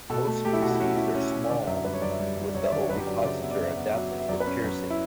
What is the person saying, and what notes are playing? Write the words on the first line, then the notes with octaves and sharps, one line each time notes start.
Most species are small, with the ovipositor adapted for piercing.
B2 A4
A3
A3 G4
E4
B2 F#4
E4
C#4 F#4
E4
C#4
B2
D3 D5
F#2 E5
G3 B4
C#5
F#2 D5
E5
G3
F#2
D5
F#2 C#5
E5
D3 D5
C#5
F#2 B4
G4
F#3 D5
E5
C#3 D5
B3 E5
D5
F#2 E5
B3
F#3 E5
B3
E5
F#2 D5
B4
C#4
F#2
E4